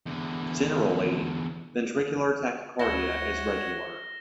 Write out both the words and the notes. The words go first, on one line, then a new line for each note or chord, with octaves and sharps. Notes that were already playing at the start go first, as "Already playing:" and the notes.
Generally, ventricular tachycardia is regular.
E2 D3
D2 E4 C#5 F#5 A#6 E7 G7